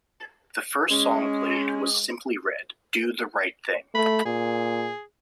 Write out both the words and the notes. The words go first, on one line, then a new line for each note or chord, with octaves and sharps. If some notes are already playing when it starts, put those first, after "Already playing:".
The first song played was Simply Red - Do The Right Thing.
G#3 C#4
A3 B5
A#2 G#4